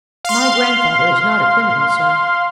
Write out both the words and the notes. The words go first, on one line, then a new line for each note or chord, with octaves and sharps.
"My grandfather is not a criminal, sir."
F5 C6